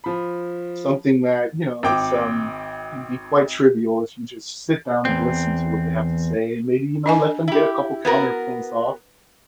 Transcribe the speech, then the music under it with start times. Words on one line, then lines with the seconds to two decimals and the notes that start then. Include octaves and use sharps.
something that you know, it's um, can be quite trivial if you just sit down and listen to what they have to say and maybe, you know, let them get a couple of counterpoints off
0.04 F3 B5
1.83 G#1 G5 D6
5.05 E2 C4
7.06 D4 D#5 G#5
7.48 E4 G4
8.05 B3 F#4 A#4 B4